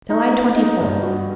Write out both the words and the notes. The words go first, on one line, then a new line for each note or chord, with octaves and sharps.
July Twenty-fourth.
D#4
B3
D#4
G2
F#4